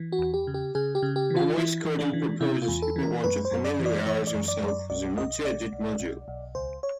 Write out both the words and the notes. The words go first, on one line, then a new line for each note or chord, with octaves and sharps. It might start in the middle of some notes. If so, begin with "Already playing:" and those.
For voice coding purposes, you'll want to familiarize yourself with the multiedit module.
Already playing: E3
F#4
E2
G4
C#3
G4
C#3 G#4
G4
C#3
G4
E3
F4
E3 E4
E3
D4
E3
C3 E4
F4
E2
A4
E3
A#4
F#2 B4
C5
F#2
D5
E3
D5
E3 C#5
D5
F#2
D5
F#2
D5
B1 D5
B1 D#5
B1 D5
B1
B1
B1
C#2 C5
C#5